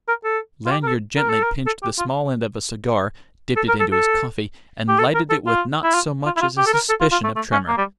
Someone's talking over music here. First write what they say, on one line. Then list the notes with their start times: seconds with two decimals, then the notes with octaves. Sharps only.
Lanyard gently pinched the small end of a cigar, dipped it into his coffee, and lighted it with not so much as a suspicion of tremor.
0.08 A#4
0.24 A4
0.66 F4
0.71 G4
0.83 A#4
0.88 A4
1.17 A#4
1.29 A4
1.43 A#4
1.66 A4
1.83 G4
1.98 F4
3.56 A4
3.68 A#4
3.80 A4
3.92 A4
4.88 G4
4.99 A4
5.14 A#4
5.30 A4
5.47 F4
5.83 E4
5.94 F4
6.26 F4
6.37 E4
6.41 F4
6.57 G4
6.66 A4
6.73 A#4
6.89 A4
7.00 F4
7.12 F4
7.24 A3
7.36 A3
7.52 C#4
7.68 A#3
7.77 G3